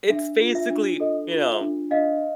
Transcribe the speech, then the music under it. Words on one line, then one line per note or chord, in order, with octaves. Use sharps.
it's basically, you know
D4 E5
F4
E5
D4
A4 D#5
F4
E5
D4
D4 D#5 F5